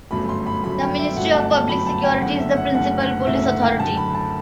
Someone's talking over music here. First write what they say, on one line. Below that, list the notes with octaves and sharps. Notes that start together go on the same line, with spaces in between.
The Ministry of Public Security is the principal police authority.
G1 F#2 F#3 A3 B5
C6
B5
G1 F#2 F#3 A3 B5
G5
E5
G1 F#2 F#3 A3 F#5
A5
A5
G1 F#2 F#3 A3 B5
A5
G5
F#1 F#2 D3 A3 F#5
E5
F#5
F#1 F#2 D3 A3 F#5
F#5
F#1 F#2 D3 A3 E5
F#5
G5
F#1 F#2 D3 A3 A5
B5
A5